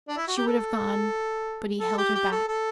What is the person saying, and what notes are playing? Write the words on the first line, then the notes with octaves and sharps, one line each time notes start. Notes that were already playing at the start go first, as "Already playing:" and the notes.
She would have gone, but he held her back.
D4
E4
F#4
G4
A4
A4
G4
G4
A4
A4